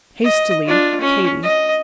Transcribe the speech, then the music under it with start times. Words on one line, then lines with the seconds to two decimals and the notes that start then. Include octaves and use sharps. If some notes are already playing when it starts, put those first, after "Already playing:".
Hastily, KATY.
0.24 D#5
0.66 D4 F4
1.01 C#4
1.43 D#5